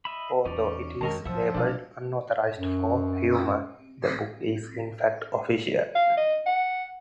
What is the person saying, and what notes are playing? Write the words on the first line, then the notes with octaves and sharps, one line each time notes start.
Although it is labeled "Unauthorized" for humor, the book is in fact official.
D#5 E5 B5
E2 C#4 D#4 D5
F2 D#3 G#3 C#4 A4 A#4 D#5 A5
D2 A2 F3 E5 F#5 E6
B2 G3 D4 F4
F#2
F5
D#5
F#5